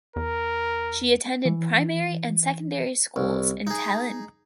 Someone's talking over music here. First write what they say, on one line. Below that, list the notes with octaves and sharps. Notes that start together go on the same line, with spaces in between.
She attended primary and secondary schools in Tallinn.
E2 A#4
E3
C2
D#4 G#4